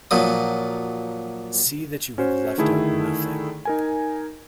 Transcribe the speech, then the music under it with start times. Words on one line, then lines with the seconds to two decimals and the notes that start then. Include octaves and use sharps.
See that you have left out nothing.
0.11 A#2 F3 F#3 D#6
2.18 C#4 F#4 C5
2.58 D3 D#3 A3 E4 G#4
3.65 D#4 A#4 G#5